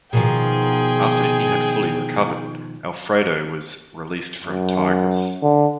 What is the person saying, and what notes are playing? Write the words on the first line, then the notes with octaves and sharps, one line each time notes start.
After he had fully recovered, Alfredo was released from Tigres.
B2 D#3 F3 G#4 G5
F#2
D3